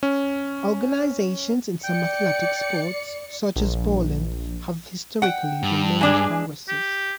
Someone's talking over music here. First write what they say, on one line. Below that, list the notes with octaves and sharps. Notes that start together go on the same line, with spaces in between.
Organizations in some athletic sports, such as bowling, have historically been named "congresses".
C#4
D5 G5 C#7
A#1
F#5 G5
G2
G#3 D4 G#4 G#5 D6
G4